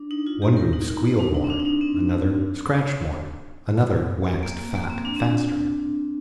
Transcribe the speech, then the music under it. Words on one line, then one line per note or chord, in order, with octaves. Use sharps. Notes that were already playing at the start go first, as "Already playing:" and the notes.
One group squealed more; another scratched more; another waxed fat faster.
Already playing: D4
D#4
F4
G4
A#4
D#4
D#4
D#4
D4
D#4
C4
D4
D#4
D4
C4
A#3
A#3
A#3
C4
D4
C4
D4